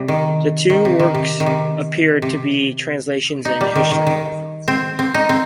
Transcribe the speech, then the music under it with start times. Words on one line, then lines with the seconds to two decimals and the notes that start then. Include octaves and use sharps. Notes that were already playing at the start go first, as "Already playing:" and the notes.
The two works appear to be translations and history.
Already playing: C3 G3
0.08 D#3
0.70 D#3
0.85 C3
0.99 D#3
1.15 C3
1.40 D#3
1.46 C3
2.22 C3
3.45 D#4
3.61 G3
3.76 D#3
3.91 D#3
4.07 D#3
4.68 C4
4.99 C4
5.14 D#4
5.29 C4